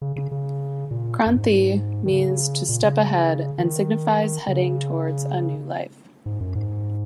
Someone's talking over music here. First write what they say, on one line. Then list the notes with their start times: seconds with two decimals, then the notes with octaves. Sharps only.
"Kranthi" means "to step ahead" and signifies heading towards a new life.
0.01 C#3
0.16 C#3
0.31 C#3
0.91 A#2
1.26 F#2
1.35 G#2
2.05 D#3
2.10 C#3
2.69 A#2
2.84 C#3
3.58 D#3
4.48 C#3
6.26 G#2
6.41 F#2
6.55 G#2